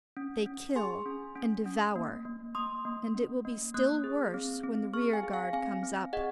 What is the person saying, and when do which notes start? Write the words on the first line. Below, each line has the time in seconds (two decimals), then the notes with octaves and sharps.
They kill and devour--and it will be still worse when the rear-guard comes up.
0.17 C#4
0.46 C#4
0.76 G#4 G#5 C6
1.06 C#4
1.36 C#4
1.66 C#4
1.96 A#3
2.25 A#3
2.55 A#3 C6 D#6
2.85 A#3
3.14 C#4
3.45 A#3
3.74 A#3 D#6 F#6
4.04 G#4
4.34 C4
4.64 C4
4.94 G#4 C#6 F6
5.13 F5 G#5
5.23 G#4
5.33 F5 G#5
5.53 C4 F5 G#5
5.83 C4
6.13 G#4 D#5 F#5